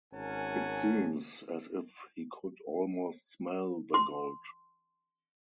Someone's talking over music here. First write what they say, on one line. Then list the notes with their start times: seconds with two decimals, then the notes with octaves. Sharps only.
It seems as if he could almost smell the gold.
0.13 G#1 C#4 A#4 F#5 G#5 A5
3.94 C6